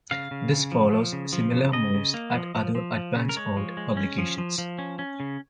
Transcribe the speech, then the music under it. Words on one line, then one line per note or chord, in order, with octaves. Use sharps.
This follows similar moves at other Advance-owned publications.
C#3 F5
C#3
C#3
F3
F3
C#3
F3
C#3
C#3 D#5
C#3
A#3
F3
F3
F3
F3
C#3
A#4
G#3 C#5
F3
G#3
C#4
F3
F3
F3
C#4
C#4
C#3